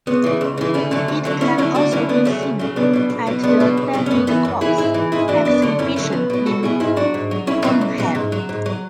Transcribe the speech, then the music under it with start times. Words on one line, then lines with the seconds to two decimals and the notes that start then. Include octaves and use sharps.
It can also be seen at the David Cox exhibition in Birmingham.
0.07 C#2 B3
0.24 C#3 E3
0.41 C#2
0.57 C#3 E3
0.74 D2 A3 C#4
0.91 D3 F#3 A3 C#4
1.08 D2
1.25 D3 F#3
1.41 D2 C#4 E4
1.58 D3 F#3 C#4 E4
1.75 D2 D4 F#4
1.92 D3 F#3 C#4 E4
2.09 D2 B3 D4
2.25 C#3 F#3 A3 C#4
2.43 D2
2.59 C#3 F#3
2.76 B1 B3 D4
2.93 B2 F#3
3.10 B1
3.27 B2 F#3
3.43 C#2 B3 D4
3.60 B2 F#3
3.77 C#2
3.93 B2 F#3
4.06 C#4
4.11 F#2 B3
4.27 E3 B3
4.45 F#2
4.61 E3 E4 G#4
4.78 G#2 E4 G#4
4.94 E3
5.12 G#2 E4 G#4
5.28 E3 D4 F#4
5.45 F#2 B3 D4
5.62 D3 F#3
5.79 F#2 C#4 E4
5.96 D3 F#3 A3 C#4
6.12 B1 B3
6.30 B2 F#3
6.46 B1 F#4 A4
6.63 B2 F#3 E4 G#4
6.80 G#2 E4 G#4
6.96 F#3 D4 F#4
7.14 G#2
7.31 F#3
7.47 B1 C#4 E4
7.64 B2 F#3
7.81 B1
7.98 B2 F#3
8.15 G#2
8.32 F#3
8.49 G#2
8.66 F#3